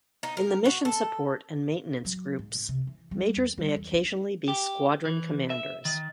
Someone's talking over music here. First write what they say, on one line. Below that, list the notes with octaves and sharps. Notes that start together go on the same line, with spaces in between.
In the mission support and maintenance groups majors may occasionally be squadron commanders.
D#4
A#4
F#4
A4
F#3
G#2
G#2
C3
E3
G3
E2
G3
E2
D4
G4
E3
E5
D#3